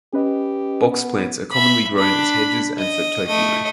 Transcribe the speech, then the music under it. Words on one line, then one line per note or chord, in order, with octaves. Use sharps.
Box plants are commonly grown as hedges and for topiary.
C#4 G4 B4 D#5
B3
E5 B5
D4 B5
D#5
A3 D#5